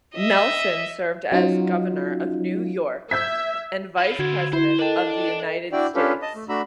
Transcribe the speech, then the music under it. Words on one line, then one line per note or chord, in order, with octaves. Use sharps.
Nelson served as Governor of New York and Vice President of the United States.
D#5 E5
F#3 C#4 D#4 F4 F#4
E5 G6 G#6 B6
E4 F4
D3 F#4 G#6
E4 C5
D4 A4 A#4 D#5 G5 A5
D4 E4 F#4 D5 G5
C#4 D4 F4 G4 A4 B4
D#5 A5 D#6
A3
A3 D4 F#4 A#5 B5 E6